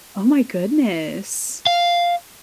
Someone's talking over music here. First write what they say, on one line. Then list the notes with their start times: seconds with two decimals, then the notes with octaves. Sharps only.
Oh my goodness.
1.67 F5